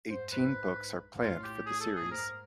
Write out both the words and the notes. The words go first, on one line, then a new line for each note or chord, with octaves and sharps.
Eighteen books are planned for the series.
G#2 C5
G#2 B4
A#2
A2 F4
G4
G#4
A4
G#4
A2
G#2 A#4